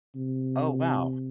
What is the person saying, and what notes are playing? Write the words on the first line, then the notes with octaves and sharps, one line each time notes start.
Oh, wow.
C3